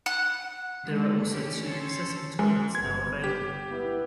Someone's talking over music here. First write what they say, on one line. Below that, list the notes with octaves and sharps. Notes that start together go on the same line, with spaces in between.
There are also two accessible toilets now available.
F#5
D#3 G3 G#3
D3 E3 C#4 G4
C#4 A4 C5 C#5
F#2 G#3
G1 B3 G#6
G4 B6
B3 E4